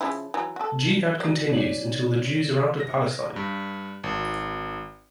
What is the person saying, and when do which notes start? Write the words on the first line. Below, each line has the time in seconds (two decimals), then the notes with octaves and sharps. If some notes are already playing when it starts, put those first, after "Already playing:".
Jihad continues until the Jews are out of Palestine.
0.01 C#3 F3 E4
0.34 E3 F#3
0.56 F#4 A4
1.20 F#3 D5
1.50 D#4 C#5 D5 F#7
2.80 A#6
3.36 G2
4.04 G#1